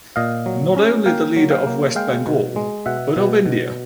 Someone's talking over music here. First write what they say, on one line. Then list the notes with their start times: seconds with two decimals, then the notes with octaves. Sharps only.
Not only the leader of West Bengal, but of India.
0.16 A#2 D#5 F5
0.46 F#3
0.77 C#4
1.06 A#3 F5 G5
1.36 F#3
1.51 F5 G5
1.67 A#3
1.96 G#3 F5 G5
2.27 B2
2.56 G#3
2.86 B2 E5 F#5
3.16 B2
3.46 B2